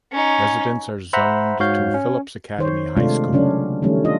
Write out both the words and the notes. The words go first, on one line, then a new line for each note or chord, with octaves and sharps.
Residents are zoned to Phillips Academy High School.
C#4 D#4
C5 E5 F#5 A#5 B5
G#2 F#4 C#5 F5 G6
C#4
D#3 C5 C#5
C3 G#3 A3 D4 F4
C#3 F#3 C#4 D4
D#3 F3 G3 A3 C#4
D4 F4 D#5